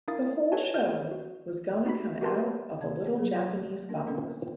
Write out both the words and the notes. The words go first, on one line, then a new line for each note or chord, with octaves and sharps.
The whole show was gonna come out of a little Japanese box.
D4 E4 A#4 F5 D#6 A6
A4 B4 C#5 G#5 A5
F6 G6
F#4
D#4 F#4 G4 B5 B6
F#4 G4 A#4 B4 A5 C6
C3 F5 A5 G#6
F#3 G#4 A#4
A#3 D4 A#4
B3 C#4 D4 A4 A#4